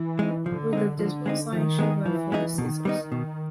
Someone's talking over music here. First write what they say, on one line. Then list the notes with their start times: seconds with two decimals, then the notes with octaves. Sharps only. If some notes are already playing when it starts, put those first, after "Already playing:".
With a dismal sigh she went for the scissors.
Already playing: E3
0.19 G#3 C4 D#4
0.46 D3 F3
0.73 G#3 C4 D#4
0.99 D3 F3
1.26 G#3 C4 D#4
1.52 D#3 F3
1.79 G#3 B3 D#4 G#4
2.05 E3 F3
2.32 G#3 B3 D#4 G#4
2.58 B2 D#3
2.85 G3 B3 D#4
3.12 B2